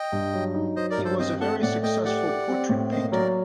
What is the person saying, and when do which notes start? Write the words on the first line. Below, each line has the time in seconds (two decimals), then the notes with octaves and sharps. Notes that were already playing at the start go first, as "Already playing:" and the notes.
He was a very successful portrait painter.
Already playing: D#5 G5
0.12 G2
0.34 F#3
0.55 D#4
0.76 F#3 C5 D#5
0.90 A#4 D5
0.98 G2
1.05 A4 C5
1.19 C4 C5 D#5
1.40 A3 F#5 A5
1.62 A2 D5 F#5
1.83 A3 D#5 G5
2.05 G4 D5 F#5
2.27 G4
2.49 C4
2.69 A2
2.91 A#3 C5 D#5
3.12 F#3 A#4 D5